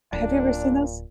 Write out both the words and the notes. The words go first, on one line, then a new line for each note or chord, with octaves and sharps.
Have you ever seen those?
D1 A#2 D4